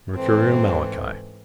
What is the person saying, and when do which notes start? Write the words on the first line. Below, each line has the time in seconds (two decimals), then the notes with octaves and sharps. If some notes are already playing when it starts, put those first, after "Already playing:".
Mercurial Malachi.
0.15 G#2 E3 A3 C4